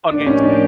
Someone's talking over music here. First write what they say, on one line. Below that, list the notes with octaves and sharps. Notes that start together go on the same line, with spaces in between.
Fun games.
A2 F3 A#3 D4 D#4 G4
C#4
D4